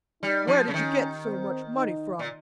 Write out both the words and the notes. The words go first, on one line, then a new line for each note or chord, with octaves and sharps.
'Where did you get so much money from?'
G3 D#4
F3
C#3
D#3 C#4
C4
D#4
A#2